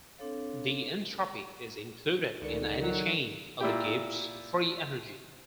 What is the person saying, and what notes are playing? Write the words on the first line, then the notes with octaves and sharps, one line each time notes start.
The entropy is included in any change of the Gibbs free energy.
C4 D4 A4 C#5 F5
C#2 D#3 A4 A#4 D5 C#7
F#3
A#2 E4 G4